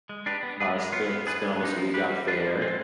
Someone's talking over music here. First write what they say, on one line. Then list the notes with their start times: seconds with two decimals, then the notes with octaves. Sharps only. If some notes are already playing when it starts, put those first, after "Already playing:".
uh, spent spent almost a week out there.
0.09 G#3
0.26 D4 G4 B4
0.43 B3
0.60 D4 G#4 B4
0.76 G#3
0.92 B3 F4
1.10 B3
1.27 D4 G#4 B4
1.44 G#3
1.61 B3 D#4
1.76 F3
1.94 C4 G4 B4
2.11 G3
2.28 D4 F4 B4
2.45 F3
2.61 G#3 C4 F4